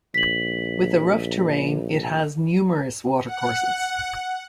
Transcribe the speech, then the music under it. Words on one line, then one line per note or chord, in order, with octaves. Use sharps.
With a rough terrain, it has numerous water courses.
A#1 B6 F#7
F#5